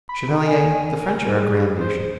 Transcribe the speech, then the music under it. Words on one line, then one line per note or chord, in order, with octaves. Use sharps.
Chevalier, the French are a grand nation.
B5
D#3
G#5
A#4
G3 G#4
C5